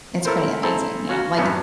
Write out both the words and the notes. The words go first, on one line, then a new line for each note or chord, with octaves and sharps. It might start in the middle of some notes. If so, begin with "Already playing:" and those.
It's pretty amazing, you know, like,
E4 A4 A#4 C5
E4 G#4 A4 C5 A5 A#5
C#4 F4 F#4
G#1 F#2 A2 F#3 G3 B3